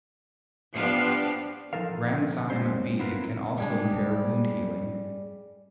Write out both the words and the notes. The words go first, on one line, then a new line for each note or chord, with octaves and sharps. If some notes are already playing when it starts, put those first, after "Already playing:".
Granzyme B can also impair wound healing.
F3 B3 D4 G4 F5
F3 D#4 A4 A#4 F5
F#3 G#3 C4 G4 C5
B3 C4 E4 F4 A#4 B4
G3 G#3 D4